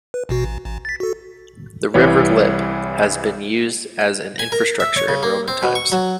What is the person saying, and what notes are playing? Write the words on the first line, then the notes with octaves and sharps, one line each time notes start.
The river Lippe has been used as an infrastructure in Roman times.
B4
A1 B2 F#4
A1
A1
A6 B6
F#4 A4
C2 E3 G3 C#5
G#5
A#4
E5
C#5
C#3
A#3
C4
B2
C#6
F#3